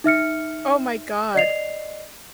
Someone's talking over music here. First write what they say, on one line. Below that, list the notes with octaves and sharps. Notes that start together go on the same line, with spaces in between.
Oh my god.
D#4 E5 F6 C#7
D5 D#5 C7 F7